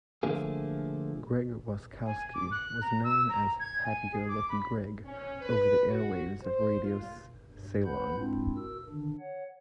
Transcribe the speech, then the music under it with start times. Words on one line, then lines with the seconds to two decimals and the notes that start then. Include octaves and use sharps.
Greg Roskowski was known as 'Happy-go-lucky-Greg' over the airwaves of Radio Ceylon.
0.23 D3 F3 A3 A#3 G#4
2.06 G#5
2.34 D6
2.51 F#6
2.81 A#5
3.04 E6
3.29 A#5
3.60 G#6
3.84 G#5
4.13 G#4
4.28 D6
4.49 B5
5.05 C#4
5.41 B4
5.89 F#4
6.42 C5
6.82 F4
7.46 G2
7.85 B4 F#5 B5 G6
8.16 G2 G#3 C4 D4 E4 F4
8.56 F#4 A#4 E6
8.88 D3 D#3 D4
9.19 C#5 F#5